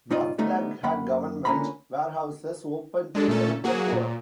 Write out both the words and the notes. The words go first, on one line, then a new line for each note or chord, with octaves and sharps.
Mazdak had government warehouses opened to help the poor.
G#2 C3 D#4 F4 D5 D#5
G3 A3 B3 D#4
F#2 A#3 F#5 B5
C#2 D3 A#3 C#4 A#5 B5
G#3 D4 A4
A#2 A3 C#4 A4
F#3 A#3 F#4 G#4
A#2